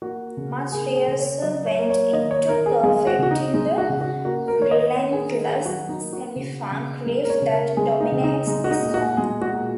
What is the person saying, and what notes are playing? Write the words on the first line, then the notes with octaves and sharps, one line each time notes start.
Much rehearsal went into perfecting the relentless semi-funk riff that dominates this song.
A#3 F#4
C#3
A#3 G#4
G#4
C#3
C#5
F#3 D#5
C#5
A#3
C#5
D#3 D#5
C#5
D#3 A#4
G#4
G#3 G#4
F#4
C#3 F#4
D#4
G#3 D#4
F#4
C#3
F#4
A#3 F#4
A#4
D#3 C#5
D#5
A#3 C#5
G#4
D#3 A#4
G#4
F#3 F#4
D#4
A#3
F#4
C#3
C#3
G#3 A#4
A#4
C#5
C#3
A#4
G#3 G#4
D#4
C#3
D#4
G#3 D#4
F#4
D#4
A#2
F#4
G#3 G#4
F#4
A#2